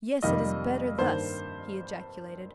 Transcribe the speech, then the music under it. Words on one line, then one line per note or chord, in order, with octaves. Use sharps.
"Yes, it is better thus," he ejaculated.
F2 C3 D#3 G3 A#3 D#5
G2 D#3 A#3 C5